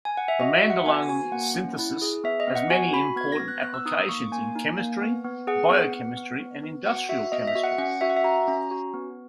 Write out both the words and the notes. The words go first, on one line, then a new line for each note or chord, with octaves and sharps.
The Madelung synthesis has many important applications in chemistry, biochemistry, and industrial chemistry.
G#5
F#5
E5
F#4 D#5
E5
F#4
F#5
B3 G#5
F#4 G#5
A#3 F#5
C#4
E4
G#4
B3 E5
D#5
B3
F#5
F#4 G#5
F#4 B5
B3 G#6
A#6
B3
F#6
B3 F#6
E6
D#4 D#6
A#3 C#6
A#3 G#5
D#4
A#3
B3
B3
G#4 F#5
B3
B3
B3
B3
B3
F#4 F#5
F#4 E5
B3 D#5
E5
F#4
F#5
C#4 F#5
F#4 E5
F#5
E5
F#4 A#5
C#4
F#4
B3